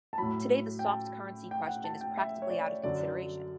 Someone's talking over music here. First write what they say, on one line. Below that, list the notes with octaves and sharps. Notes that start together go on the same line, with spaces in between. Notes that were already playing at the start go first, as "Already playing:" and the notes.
Today the soft currency question is practically out of consideration.
A5
A2 F#3 B5
G5
A5
G5
F#5
A5
G5
E5
C#5
D5
F#2 D3 F#3 D5